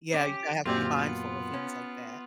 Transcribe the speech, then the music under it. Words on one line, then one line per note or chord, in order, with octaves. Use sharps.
yeah, you have to be mindful of things like that.
C#4 G4
F#2 A#2 C4 F4 G4 D5
B3
C#4